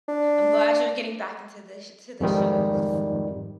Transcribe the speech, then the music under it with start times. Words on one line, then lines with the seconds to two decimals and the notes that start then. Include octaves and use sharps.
I'm glad you're getting back into the sh to the shows.
0.09 D4
2.20 F2 G#2 D#3 G3